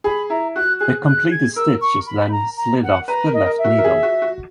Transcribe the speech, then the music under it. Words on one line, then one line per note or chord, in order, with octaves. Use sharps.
The completed stitch is then slid off the left needle.
G#4 B5
E4 A#5
F#4 F#6
G#4 F#6
F#6
G#6
A#4 E6
C#6
B5
B5
A#5
A#5
F#5
B4 A#5
A#4
D#5
A#4
E5
F#4
A#4
G#4
F#4
F#4